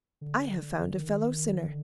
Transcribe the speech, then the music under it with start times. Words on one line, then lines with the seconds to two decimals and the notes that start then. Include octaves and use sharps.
"I have found a fellow-sinner."
0.21 D3
0.94 D#3
1.68 D3